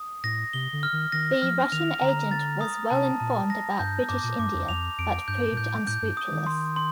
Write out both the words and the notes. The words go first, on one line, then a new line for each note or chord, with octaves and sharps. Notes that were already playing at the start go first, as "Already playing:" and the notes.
The Russian agent was well-informed about British India, but proved unscrupulous.
Already playing: D#6
A2 A#6
C3 G7
D3
F6
D#3
D#3 A#6
F3 F6
D#3 F7
D3 A#5
A6
D#6
C3 A5
A#2 A5
A#6
G2 G6
G2 D6
A#2
G2 D6
F2
F2 F7
F2 D7
G2 G6
A#2
A2 G6
A2 G6
G2
D#6
D#3
C6
C6